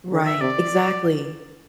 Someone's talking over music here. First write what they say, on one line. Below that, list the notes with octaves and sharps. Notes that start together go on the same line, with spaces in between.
Right, exactly,
D3
E5
C3 D5